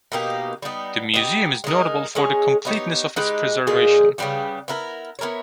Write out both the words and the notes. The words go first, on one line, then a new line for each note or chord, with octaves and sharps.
The museum is notable for the completeness of its preservation.
B2 A#3 D#4 G4
G3 B3 D#4
B3 D#4 G4
G#3 D#4 A#4
G#3 C#4 G#4
B3 D#4 G4 C#5
G#3 D#4 G4 B4
A#2 G#3 D#4 G#4
C#3 G3 B3 G4
B3 E4 A#4
B3 E4 A#4 C#5